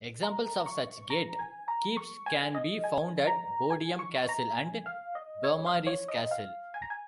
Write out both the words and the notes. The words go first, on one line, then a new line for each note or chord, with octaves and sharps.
Examples of such gate keeps can be found at Bodiam Castle and Beaumaris Castle.
A#5
C#6
A#5
G#5
A#5
C#6
G#5
D#5
G#5
A#5
G#5
C#6
A#5
G#5
F5
D#5
C#5
F5
C#5
D#5
F5
G#5
A#5
G#5